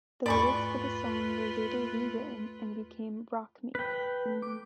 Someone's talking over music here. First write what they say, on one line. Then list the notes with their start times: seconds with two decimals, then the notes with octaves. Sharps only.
The lyrics for the song were later re-written and became "Rock Me".
0.26 E2 G#2 A3 F4 B4 D5 B5 C#6
3.75 B4 G5 F#6
4.26 A3
4.42 D6